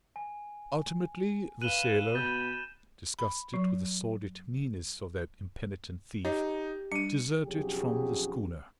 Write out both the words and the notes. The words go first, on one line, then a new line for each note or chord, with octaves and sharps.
Ultimately the sailor, disgusted with the sordid meanness of that impenitent thief, deserted from the schooner.
G#5
B4 F5 F#6 D#7 E7 F#7 G7
B2 B5 G6 A6 G7
B5
F#3
D#4 G4 C#5 D#5
G3 D4 C#7 D#7
B1 F2 C#3 F#3 G4 G#4